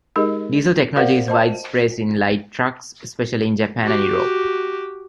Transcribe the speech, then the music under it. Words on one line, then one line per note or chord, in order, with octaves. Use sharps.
Diesel technology is widespread in light trucks, especially in Japan and Europe.
G#3 D#4 G4 G#4 A#4 D#5
F#4 A#4 C5 D5 F5 F#5
C5 D#5 A5
F#4 G4